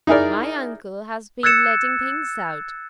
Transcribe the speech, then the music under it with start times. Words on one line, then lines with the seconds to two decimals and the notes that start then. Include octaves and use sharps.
'My uncle has been letting things out.
0.07 D#4 E4 G#4 A#4 D5
1.43 E6 F#6 G#6 A6 C#7 E7